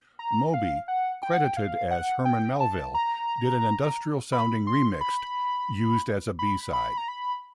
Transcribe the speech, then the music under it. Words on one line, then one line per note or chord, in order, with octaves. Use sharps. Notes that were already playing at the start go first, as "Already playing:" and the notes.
Moby, credited as "Herman Melville", did an industrial-sounding remix used as a B-side.
A#5
F5
F#5
G5
F#5
G5
F5
F#5
G5
A5
A#5
B5
C6
B5
B5
B5
A#5
B5